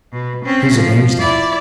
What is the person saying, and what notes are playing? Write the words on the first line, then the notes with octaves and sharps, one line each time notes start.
He's arranged that.
B2
C4 C#4
F3
E4 D5